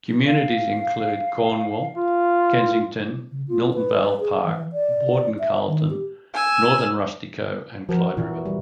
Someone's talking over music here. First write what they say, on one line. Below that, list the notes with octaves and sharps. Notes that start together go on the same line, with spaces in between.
Communities include Cornwall, Kensington, Miltonvale Park, Borden-Carleton, North Rustico and Clyde River.
F5
F4
C#3
F4
B4
G#4
E3
D5
E5
D#3
G4
G#5 E6
F3 F#4 A#4
A#2 E3
G3